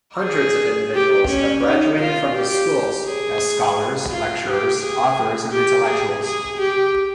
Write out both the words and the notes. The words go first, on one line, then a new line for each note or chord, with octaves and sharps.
Hundreds of individuals have graduated from his schools as scholars, lecturers, authors and intellectuals.
G#4
G4
C#4
D#4
F4
G4
G#4
F4
G4
G#4
G4
G#4
G#4
G4